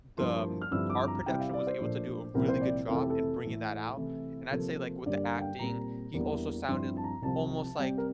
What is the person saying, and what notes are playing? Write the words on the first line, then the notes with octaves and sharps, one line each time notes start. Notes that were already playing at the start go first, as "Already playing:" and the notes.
the m art production was able to do a really good job in bringing that out, and I'd say, like, with the acting, he also sounded almost, like
G2 F3 A#3 E4 C6
F6
G2 D3 F3 C4 E4 E6
D6
A#5
C3 G3 C4 E4 G5
F5
D5
C5
A#2 F3 A3 D4
C2 A#2 F3 C4 E4 A#4
C5
D5
F2 C3 E3 A3 E4 A#4
A4
G4
A4
A2 E3 A3
C3 E3 A3 E4
C3 F3 A#3 A4
G2 D3 G3 A#3 D5
F5
G5
A#2 G3 C4 A#5
E2 E3 G3 A#3 D4
G2 F3 C4 E4 C6
A5
A#5
C2 C3 F3 C4 A5
C3 G3 C4 G5
A#4